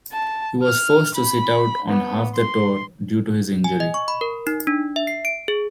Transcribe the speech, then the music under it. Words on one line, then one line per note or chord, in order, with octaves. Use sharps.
He was forced to sit out on half the tour due to his injury.
A5
F6
B5
B3
C6
G#5
D#5
C#6
B5
A#4
D#4
D4
E5
C7
D7
G#4